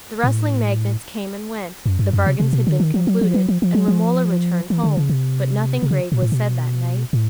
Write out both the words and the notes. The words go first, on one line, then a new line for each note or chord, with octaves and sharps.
The rustling magnates came and went, the bargains had been concluded, and Romola returned home; but nothing grave was said that night.
A2
F#2
G2
F#2
C3
C3
B2
D3
D#3
F3
F#3
F3
F#3
F3
F3
F#3
F3
E3
D3
C#3
C3
C3
C#3
A#2
A2
B2
A2